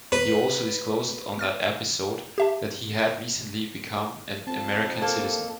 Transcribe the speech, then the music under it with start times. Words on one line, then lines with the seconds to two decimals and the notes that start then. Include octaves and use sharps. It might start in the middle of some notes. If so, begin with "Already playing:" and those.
He also disclosed on that episode that he had recently become an American citizen.
0.12 E2 B4
1.39 F6 A6 D7
2.38 G4 E5 A5
4.47 F2 C4 A5
5.02 A#3 A4